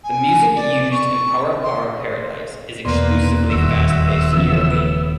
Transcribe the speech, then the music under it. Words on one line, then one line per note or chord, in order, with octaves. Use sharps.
The music used in Para Para Paradise is exclusively fast-paced Eurobeat.
G#5
D5
C#6
C6
E2 B2 A#3 B4 D5 C6
D#1 F#4 E5 E6
C#3 E3 F3 B3
B4